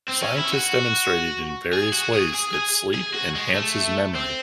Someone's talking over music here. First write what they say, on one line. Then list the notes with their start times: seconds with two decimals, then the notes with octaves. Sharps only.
Scientists demonstrated in various ways that sleep enhances memory.
0.08 C4
0.22 C#4
0.38 E4
0.53 F#4
1.73 G#4
1.93 F#4
2.14 G#4
2.35 G#4
2.54 G#4
2.94 G#4
3.14 F#4
3.35 G#3
3.54 A3
4.15 C4